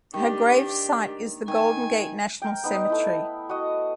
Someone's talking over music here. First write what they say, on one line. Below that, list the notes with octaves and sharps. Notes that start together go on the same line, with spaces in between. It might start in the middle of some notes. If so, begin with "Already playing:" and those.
Her gravesite is in the Golden Gate National Cemetery.
D#3 D4 G4
D#3 G#5
A#4 G5
B3 D#4
A3 E4
F#4 D#5